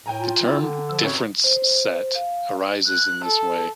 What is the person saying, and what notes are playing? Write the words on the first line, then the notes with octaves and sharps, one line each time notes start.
The term "difference set" arises in this way.
A2 G5 G#5 A#5
F4
E4
D3
F3 E6
A1 F#2 C3 C#5
C5
F5
F#6
A4